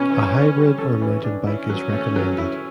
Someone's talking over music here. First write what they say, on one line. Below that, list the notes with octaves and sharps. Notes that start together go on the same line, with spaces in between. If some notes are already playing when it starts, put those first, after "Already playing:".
A hybrid or mountain bike is recommended.
Already playing: B2 C#4
E3
D4
G3
A4
E3
D4
C#4 E4
F#3
A3
F#3
E4